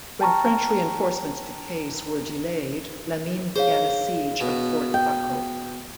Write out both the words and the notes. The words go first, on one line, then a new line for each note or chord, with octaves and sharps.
When French reinforcements to Kayes were delayed, Lamine began a siege of Fort Bakel.
G5 A5 A#5 C#6 F6
G#4 C5 C#5 F5
B2
G5